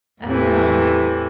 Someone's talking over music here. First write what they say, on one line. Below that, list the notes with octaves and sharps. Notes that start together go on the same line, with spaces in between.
I don't know.
E2 A2 C3 E3